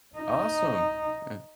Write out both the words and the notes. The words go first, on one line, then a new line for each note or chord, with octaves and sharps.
Awesome. Eh.
D#4